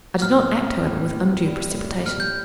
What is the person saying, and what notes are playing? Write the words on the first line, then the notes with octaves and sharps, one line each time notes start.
I did not act, however, with undue precipitation.
A2 F6
C4
A2
A2
G3
A2
G3 F6
G6